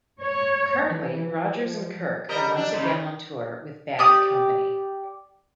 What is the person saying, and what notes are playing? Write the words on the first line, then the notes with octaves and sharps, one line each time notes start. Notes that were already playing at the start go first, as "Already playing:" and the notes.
Currently, Rodgers and Kirke are once again on tour with Bad Company.
C#5
E3
F3
G3 A#4 D#5
D4
A2 C#3
G4 D5 D#6